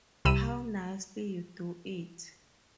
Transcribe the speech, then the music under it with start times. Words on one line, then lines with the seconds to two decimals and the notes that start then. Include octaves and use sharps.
How nicely you do it!
0.25 C2 C3 B5 E6 D#7 E7